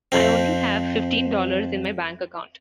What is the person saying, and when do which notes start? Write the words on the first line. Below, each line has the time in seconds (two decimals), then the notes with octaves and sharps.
I only have fifteen dollars in my bank account.
0.12 F2 C4